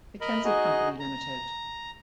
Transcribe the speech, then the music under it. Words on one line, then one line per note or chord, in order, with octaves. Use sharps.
McKenzie Company, Limited.
A#4 D#5 B5
D#4 F#4 G#4 D#5
A#5